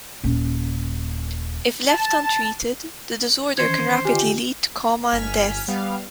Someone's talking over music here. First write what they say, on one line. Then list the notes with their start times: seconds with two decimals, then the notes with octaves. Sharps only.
If left untreated, the disorder can rapidly lead to coma and death.
0.24 D#1 C#4
1.89 A5
3.57 D#3 E3 C#4 C5 G#6 C#7
4.05 D3 F4 G4 D#5 G#5
5.12 G1 G#5 F6 B6
5.68 G3 B3 F5